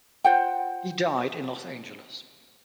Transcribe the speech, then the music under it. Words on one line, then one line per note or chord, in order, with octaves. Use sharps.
He died in Los Angeles.
F4 C5 F#5 G5